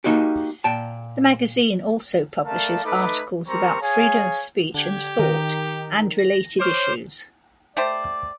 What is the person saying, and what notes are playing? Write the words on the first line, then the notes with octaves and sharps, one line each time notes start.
The magazine also publishes articles about freedom of speech and thought, and related issues.
A#3 D#4 F#4 G4
A#2 G5 A5
A3 A#4 D5 F5 A5
A3 D#4 A4 B4 B5 D6
G3 C4 A#4 A#5 C6 C#6
G#4 C#5 F5 G#5
D3 G4 G#6
D#3 A#4
A#6
C5 C#5 D6 F6
A3 G4 C5 D5